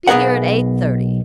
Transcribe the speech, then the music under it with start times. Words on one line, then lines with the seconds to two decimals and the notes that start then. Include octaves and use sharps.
Be here at eight-thirty.
0.07 B1 B3 G#4 A#4 F#5